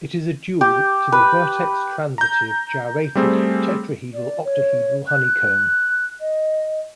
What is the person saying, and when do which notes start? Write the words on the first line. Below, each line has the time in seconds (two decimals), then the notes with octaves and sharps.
It is a dual to the vertex-transitive gyrated tetrahedral-octahedral honeycomb.
0.61 G4
1.12 B4
2.18 A#5 G6
3.15 G3 A3 C4 G#4
4.14 D5
4.45 C#5
5.07 F#6
6.20 D#5